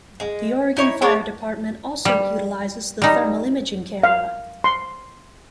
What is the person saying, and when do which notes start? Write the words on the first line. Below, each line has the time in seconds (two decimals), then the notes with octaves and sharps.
The Oregon Fire Department also utilizes the Thermal Imaging Camera.
0.20 G#3
0.77 D#4 E4 C#5
1.02 G#3 D4 C#5 D5
2.05 G3
3.02 G3 D#4
4.03 F5
4.64 C6